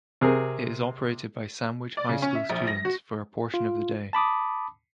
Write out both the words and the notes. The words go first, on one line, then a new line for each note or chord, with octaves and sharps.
It is operated by Sandwich High School students for a portion of the day.
C3 G#4 A#4
D5
C#3
C#4
E5
A#1
A#6
F#4
F4
A5 B5 D6 D#6